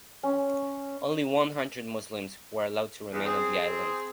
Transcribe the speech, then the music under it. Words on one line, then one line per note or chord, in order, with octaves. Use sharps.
Only one hundred Muslims were allowed to remain on the island.
C#4
E2
C4 G#4